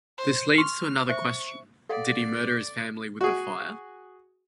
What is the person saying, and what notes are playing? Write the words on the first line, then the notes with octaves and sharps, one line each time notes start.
This leads to another question: did he murder his family with the fire?
C5
C6 C#6 F6
C5 E5 C#6
A4 D5 F5 F#5
F#4 G#4